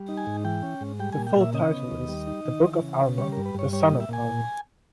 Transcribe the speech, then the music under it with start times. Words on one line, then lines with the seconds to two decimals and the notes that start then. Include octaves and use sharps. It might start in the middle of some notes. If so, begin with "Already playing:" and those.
The full title is The Book of Alma: The Son of Alma.
Already playing: G3
0.08 D#4
0.17 G#5
0.27 G#2
0.45 E3 G5
0.63 C#4
0.81 G#2
1.00 G3 G5
1.13 G#5
1.17 A#2
1.27 G5
1.36 A#2 E5
1.54 C#3 D#5
1.72 B3
1.91 D#2
2.08 G3
2.27 D#4
2.45 D#3
2.64 E3
2.82 C#3
3.00 C#3
3.18 G3 C#5
3.32 G2 A#4
3.45 B4
3.55 G2 C#5
3.73 G3 C#5
3.86 D#5
3.91 A#2
4.00 E5
4.09 A#2 G#5